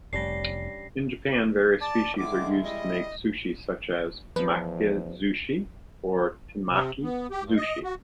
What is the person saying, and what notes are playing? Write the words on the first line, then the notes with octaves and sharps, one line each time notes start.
In Japan, various species are used to make sushi such as "maki-zushi" or "temaki-zushi".
F1 G3 C#4 D4 A#6 C7
D5 A5
D3 D#3 G#3 E4 D6
G3 D#5
E2 F3 B4
C3
B3
G4
G2
D#5
F#4